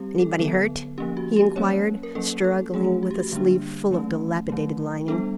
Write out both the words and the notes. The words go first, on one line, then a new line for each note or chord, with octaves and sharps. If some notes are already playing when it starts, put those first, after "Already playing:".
"Anybody hurt?" he inquired, struggling with a sleeve full of dilapidated lining.
Already playing: G3 C4 G4
A4
D3 F#3 B3 A4
F3 A#3 C#4 G4
F#4
G4
F#3 A#3 C#4 C#5
A#4
F#3 A#3 C#4 A4
A4
F3 A3 C#4 G#4
F#4
G4
F#4
D3 G3 A#3 D4 G4
D#3 F#3 A3 C#4
D#3 F#3 A3
G3 B3 D4 A4